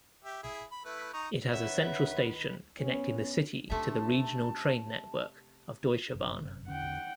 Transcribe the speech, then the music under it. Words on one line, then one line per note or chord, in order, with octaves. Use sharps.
It has a central station, connecting the city to the regional-train-network of Deutsche Bahn.
G4 E5
E4 G#4 E5
B5
A3 E4 B4
D#4 A#5 C#6
D#3 C#4 B4 E5 F#5
B3 C#4
C3 A3 C#4 D4 E5 A5
G1 F#2 C3
E2 D3 C#4 F#5 G5